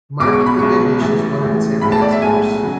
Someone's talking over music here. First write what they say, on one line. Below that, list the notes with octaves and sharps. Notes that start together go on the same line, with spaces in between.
Mark Cavendish is one of its ambassadors.
B1 B2 G#3 D6
C#6
B5
B1 B2 G#3 C#6
A1 A2 E3 G#3
A1 A2 E3 G#3
B1 A2 G#3 B5
A5
D5
E5
B1 A2 G#3 G#5
C#3 F#3